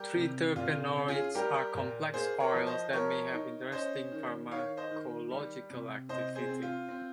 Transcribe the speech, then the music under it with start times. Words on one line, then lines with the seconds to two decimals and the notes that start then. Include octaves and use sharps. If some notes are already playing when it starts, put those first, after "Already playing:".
Triterpenoids are complex oils that may have interesting pharmacological activity.
Already playing: G3 G4 A#4
0.16 C3
0.56 A#2 F4
0.95 C#4
1.08 F4 G#4
1.35 G3 G4 A#4
1.74 A#2
2.14 A#3 G#4 C5
2.40 A#4 C#5
2.53 F3
2.67 C5 D#5
2.93 F3 A#4 C#5
3.33 D#4
3.72 C#4 C5 D#5
4.12 D#3
4.51 D#3 C#5 F5
4.77 C5 D#5
4.91 D#3
5.30 G3
5.70 C3
6.09 C3 C5 D#5
6.35 G#4 C5
6.49 C4
6.62 F4
6.88 C4